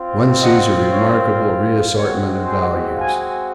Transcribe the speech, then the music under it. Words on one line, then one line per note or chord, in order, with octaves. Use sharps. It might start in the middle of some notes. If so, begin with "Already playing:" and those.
One sees a remarkable reassortment of values.
Already playing: C4 F4
D#5 F#5
C#5 F5
G#3 C4 F#4 A#4 C#5
G#4 C5
F5 G#5